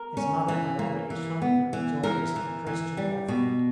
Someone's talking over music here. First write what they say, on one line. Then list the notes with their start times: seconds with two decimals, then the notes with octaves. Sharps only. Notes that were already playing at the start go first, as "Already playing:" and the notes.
His mother had already shown him the joys of a Christian deathbed.
Already playing: A#4
0.17 C#4
0.48 E3
0.79 A#3
1.10 E3
1.42 B3
1.73 E3
2.03 E3 A#4
2.36 E3
2.67 E3
2.97 G3
3.28 B2